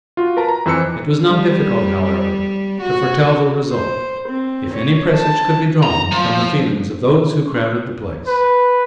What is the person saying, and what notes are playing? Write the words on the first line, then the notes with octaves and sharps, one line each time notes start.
It was not difficult, however, to foretell the result, if any presage could be drawn from the feelings of those who crowded the place.
F4 F#4
A#4 B4 A5 A#5
A#5
F2 E3 C5 E6 F#6 C#7
G3
F#4
C5
C4
C#5
A5
A#5
F3
B4